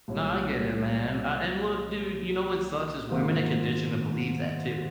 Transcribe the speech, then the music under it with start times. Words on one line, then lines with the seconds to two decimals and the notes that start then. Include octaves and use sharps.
Nah, I get it man, uh, and look, dude, you know what sucks is women are conditioned to believe that, too.
0.08 C2 A#2 G#3 C#4
3.09 G#1 G#2 D#3 A#3 F4